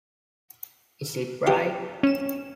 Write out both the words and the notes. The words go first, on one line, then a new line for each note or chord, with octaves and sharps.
Is it bright?
E3 G4
C#4 E7